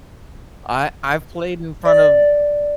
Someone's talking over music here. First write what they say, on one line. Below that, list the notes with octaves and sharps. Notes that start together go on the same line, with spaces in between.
I I've played in front of,
D5